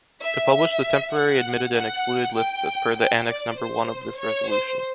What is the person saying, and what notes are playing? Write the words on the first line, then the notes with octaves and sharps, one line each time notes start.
To publish the temporary admitted and excluded lists as per the Annex number one of this resolution.
E5
F#5
F#5
G5
G5
D5
C5
C#5
C5